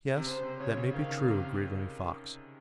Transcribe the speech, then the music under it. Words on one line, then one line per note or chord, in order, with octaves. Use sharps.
"Yes, that may be true," agreed Running Fox.
C3
C#3 C5
C3
C#3 C#5
C#3
D#3 F5
C#3
C3